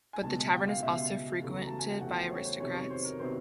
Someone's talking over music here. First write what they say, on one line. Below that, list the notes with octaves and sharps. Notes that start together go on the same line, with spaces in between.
But the tavern is also frequented by aristocrats.
G#5
C#2 B2 G#3 A5
G#5
G5
F5
C#2 B2 G#3 E5
E2 C#3 F#3 A3
A#5
A5
G#5
G5
E2 C#3 F#3 A3 F#5
G5
C5
C#5
C5
F2 C3 D#3 F#3 B3 C#5
C#5
C5
A#4
C3 D#3 F#3 B3 C5